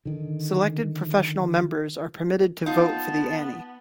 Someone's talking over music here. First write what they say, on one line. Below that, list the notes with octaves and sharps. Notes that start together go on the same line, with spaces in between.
Selected professional members are permitted to vote for the Annie.
D3 D#3
B3 D#4 F4 A5